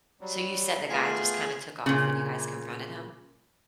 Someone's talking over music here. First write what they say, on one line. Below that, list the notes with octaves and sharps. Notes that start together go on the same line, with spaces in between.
So you said the guy just kinda took off when you guys confronted him?
F#3 G3
A3 B3 F4 G#4
A#2 C#3